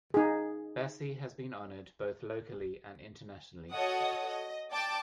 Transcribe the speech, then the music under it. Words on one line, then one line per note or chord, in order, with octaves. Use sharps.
Bassey has been honoured both locally and internationally.
D#4 G#4
F#4 A4 C#5 D#5 F#5 D#6
D#5
D5 G5 A5 D6 A6